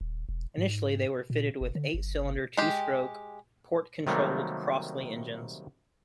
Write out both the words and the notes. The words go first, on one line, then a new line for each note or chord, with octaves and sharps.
Initially they were fitted with eight-cylinder two-stroke, port-controlled Crossley engines.
D#1
E1
G#2
A#2
F#1
D3
G1
G#3 G4
C3 D#3 F#3 G3 A3 A#3